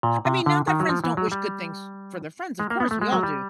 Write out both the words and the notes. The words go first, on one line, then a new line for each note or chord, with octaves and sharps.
I mean, not that friends don't wish good things for their friends, of course we all do.
A#2
C3
D3
D#3
F#3
F3
E3
F#3
G3
G#3
A#3
B3
A3
G#3
F#3
G3